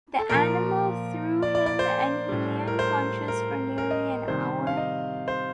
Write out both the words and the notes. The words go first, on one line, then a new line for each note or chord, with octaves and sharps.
The animal threw him and he lay unconscious for nearly an hour.
A4
A#2 F3 A#4
D5
D5
D5
C5
A2 G3
A#4
C5
A#4
A#4
D#5
C3 D#3 G3 C5
F5
D#5
C5